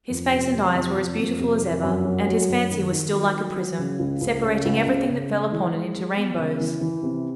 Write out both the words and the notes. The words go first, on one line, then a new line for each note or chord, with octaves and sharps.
His face and eyes were as beautiful as ever, and his fancy was still like a prism, separating everything that fell upon it into rainbows.
F2
C3
C3
F2
F2
F2
C3
F2
F#2
F#3
F#3
F#2
D#3
D#3
F#3
F#3
F#3
C#3
C#2
C#2
C#3
C#2
C#3
C#3
G#3
E3
G#3
G#3
B3
C#3
E3
E3
C3